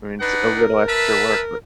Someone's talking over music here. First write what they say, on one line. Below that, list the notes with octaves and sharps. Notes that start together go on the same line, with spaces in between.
I mean, it's a little extra work, but
D4 D#4 B4 F#5
A#4
B4 E5 A5